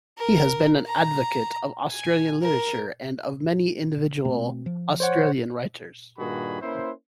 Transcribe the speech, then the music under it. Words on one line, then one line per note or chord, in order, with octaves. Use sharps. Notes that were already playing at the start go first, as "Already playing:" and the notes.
He has been an advocate of Australian literature and of many individual Australian writers.
A#4
A#5
G#5
A#4
B2 A3 C4
F3
C5 C#5 F#5
G2 A#2 D#3 F#4 G#4 B5
A#3 C#4 E4 B4 C5